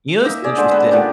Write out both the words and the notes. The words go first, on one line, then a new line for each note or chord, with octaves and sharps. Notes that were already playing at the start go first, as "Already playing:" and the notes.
You know what's interesting?
A#3 D#4 E5
G#4 D5
D3 G#3 C5
B3 B4
A#2 D3 D#3 G4